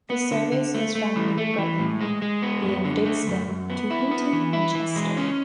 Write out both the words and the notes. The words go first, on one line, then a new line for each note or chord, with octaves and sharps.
This service was from New Brighton, via Bidston, to Hooton and Chester.
B3
D3
D3
A3
A3
E3
A3
E3
A2
G#3
G#3
B3
F#2
D3
A3
F#2
F#2
B3
E4
B3
E3
E4
E3
G#3
C#4